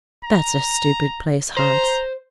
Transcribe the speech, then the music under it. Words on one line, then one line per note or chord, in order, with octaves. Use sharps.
'That's a stupid place, Hans.
A#5
C5 A#5